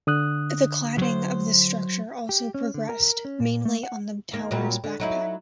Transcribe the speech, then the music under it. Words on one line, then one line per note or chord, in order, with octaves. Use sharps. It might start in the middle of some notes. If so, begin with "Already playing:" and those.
The cladding of the structure also progressed, mainly on the tower's "backpack".
D3 D#6 F#6
F#3 C5
G4
C#4
D3
A#4
C#4
A#2
A3
F#5
D#2 A#3
A#2 F#3 G3
D3
F#3 D#4 E4